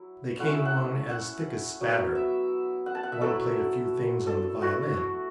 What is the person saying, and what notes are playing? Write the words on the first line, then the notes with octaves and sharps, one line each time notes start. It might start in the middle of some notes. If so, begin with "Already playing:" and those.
They came on as thick as spatter. One played a few things on the violin.
Already playing: F#3 E4
A3 C#4 E4 F#5
E5
F#5
F#5
F#3 B3 E4
E5
F#5
A5
F#5
E5
F#3 A3 E4 A4
A4
A3 E4 F#4